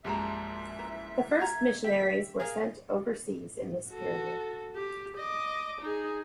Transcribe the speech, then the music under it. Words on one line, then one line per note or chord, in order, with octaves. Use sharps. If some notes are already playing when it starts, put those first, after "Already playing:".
The first missionaries were sent overseas in this period.
A#1 F#2 G#3 G4 E5 A5 A#5
E4 B4 A#5
F5 A#5 G#6
G4 E5 B6
G#4 A#4 F5
F#4 A4
G4
D#5 D6
D#4 G#4